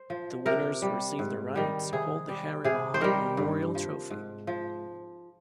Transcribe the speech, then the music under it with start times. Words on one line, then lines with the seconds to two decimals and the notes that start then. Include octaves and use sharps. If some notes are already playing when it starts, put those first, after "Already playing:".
The winners receive the right to hold the Harry Mahon memorial trophy.
Already playing: C5
0.10 F3
0.46 C3 A#4
0.82 G3
1.19 G#2
1.55 D#3 G3
1.93 C3 G#4
2.29 G3
2.64 C3 G#4
2.94 C5
3.01 D#3 G3 A#4
3.37 G2
3.75 F3
4.10 G#2
4.47 F3